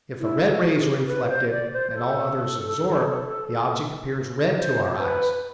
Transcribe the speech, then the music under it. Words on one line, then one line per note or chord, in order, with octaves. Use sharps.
If the red rays are reflected and all others absorbed, the object appears red to our eyes.
E4
F#4
A4
G4
B4
C5
D5
C5
A4
C5
B4